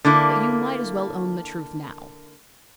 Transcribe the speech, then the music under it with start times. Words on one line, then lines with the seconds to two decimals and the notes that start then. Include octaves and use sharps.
But you might as well own the truth now.
0.05 D3 A#3 E4